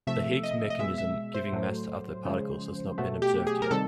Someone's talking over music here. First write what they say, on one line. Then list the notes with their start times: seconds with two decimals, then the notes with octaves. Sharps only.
The Higgs mechanism giving mass to other particles has not been observed yet.
0.07 C3 F3 A3 E5
0.43 D#5
0.70 D#5
0.80 B2 G#3 E5
0.98 E5
1.34 C5
1.53 A2 F#3 A3
2.25 C#3 F3 G#3
2.98 B2 F#3 A3
3.22 G4
3.47 G#4
3.62 A#4
3.71 C3 D#3 G3 A4